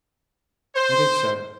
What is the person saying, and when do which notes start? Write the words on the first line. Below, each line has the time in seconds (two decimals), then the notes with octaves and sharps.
I did so.
0.76 C5